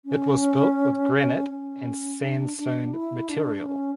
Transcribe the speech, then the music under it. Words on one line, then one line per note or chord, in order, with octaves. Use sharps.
It was built with granite and sandstone material.
C#4
C#4
D4
D4
E4
D4
C#4